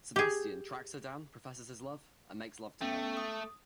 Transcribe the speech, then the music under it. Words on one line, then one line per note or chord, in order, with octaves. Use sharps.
Sebastian tracks her down, professes his love, and makes love to her.
G4 G#4
A3 B3 C#4 G5
D#6